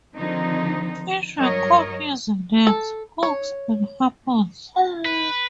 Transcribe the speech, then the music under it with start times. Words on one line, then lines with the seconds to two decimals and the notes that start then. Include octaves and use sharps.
Fish were caught using nets, hooks and harpoons.
0.17 D3 D#3 F3 C4 D#4
1.39 G2 F#3 A#4 C#5 D#5
2.67 A4
3.23 C#5
5.05 B4